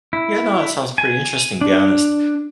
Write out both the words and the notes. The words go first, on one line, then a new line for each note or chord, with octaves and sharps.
Yeah, no, that sounds pretty interesting be honest.
E4
G#5
D4